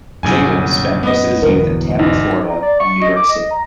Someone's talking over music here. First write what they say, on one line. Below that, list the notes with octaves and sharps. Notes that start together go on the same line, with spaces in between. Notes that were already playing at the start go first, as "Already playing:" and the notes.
Jacobs spent most of his youth in Tampa, Florida and New York City.
G1 C2 F#2 A#2 C#3 G#5
B3 D#5
G1 E2 B2 A#4
G#1 D#4
A#5
D5
C#6
D#5
D6
D#5
A#5